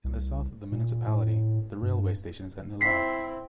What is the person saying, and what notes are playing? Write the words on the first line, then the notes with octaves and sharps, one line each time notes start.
In the south of the municipality the railway station is at Nelaug.
C2
A#2
A2
G2
C4 E4 B6 C7